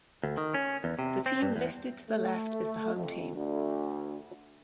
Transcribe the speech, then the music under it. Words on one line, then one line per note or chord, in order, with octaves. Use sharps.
The team listed to the left, is the home team.
D2
D#3
C#4
E2
C3
C4
G2
E2
A3
F2
D2